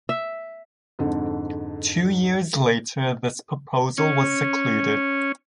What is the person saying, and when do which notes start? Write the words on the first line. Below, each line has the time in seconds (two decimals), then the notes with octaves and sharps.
Two years later this proposal was secluded.
0.09 E5
0.99 F2 G#2 D3
3.98 C#4